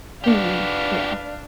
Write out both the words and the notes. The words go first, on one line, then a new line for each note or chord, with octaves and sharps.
Mhm, yeah.
D4 F#4 G4 B4 F5